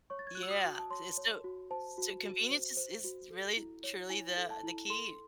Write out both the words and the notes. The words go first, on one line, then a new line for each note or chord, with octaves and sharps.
Yeah. It's sti So, convenience is is really truly the the key
C#5 C#6
A6
G#6
F#4 F#6
E6
D#6
F#4
A5
C#5 C6
C#5
F#4
C5 A5
F#4
F#4
C5
C5
F#4
A4
E4
C#5
E4 G#5
A4
A5
E4
A4 C6